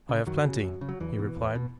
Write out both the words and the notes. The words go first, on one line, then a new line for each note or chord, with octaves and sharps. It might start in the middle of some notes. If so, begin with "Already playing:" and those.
"I have plenty," he replied.
C#3
F#2 D#3 F#3
C#3
F#2
C#3
F#3
E2 E3
B2
E2
B2